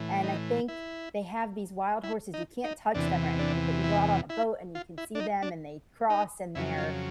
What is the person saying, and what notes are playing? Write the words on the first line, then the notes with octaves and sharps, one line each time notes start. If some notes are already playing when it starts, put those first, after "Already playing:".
and I think they have these wild horses you can't touch them or anything, but you go out on a boat, and you can see them, and they cross, and they're,
Already playing: A2 E3
D#4
E4
E4
D#4
D#4
E2 C3 E3 D4
D4
E4
E4
F4
E4
D4
D#4
D4
D#4
F2 C#3 F#3 E4
F4